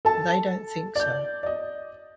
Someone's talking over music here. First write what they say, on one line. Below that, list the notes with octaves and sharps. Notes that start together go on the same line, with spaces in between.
They don't think so.
A4 A5
D5 G6
D5 D#5